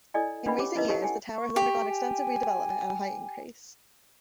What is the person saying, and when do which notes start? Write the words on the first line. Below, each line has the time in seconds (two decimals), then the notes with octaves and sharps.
In recent years, the tower has undergone extensive redevelopment and a height increase.
0.14 E4 A4 D5 D#5 G#5
0.46 C#4 D4 B4 D#5 F#5 B5
0.58 G4 C#5 D6
0.75 C#4 D#4 E4 A#4 B4 D#5
0.89 G4 A4 A#4 C#5 D#5 A5
1.02 F#5 G#5 A5
1.34 C#6
1.56 G4
1.88 G#5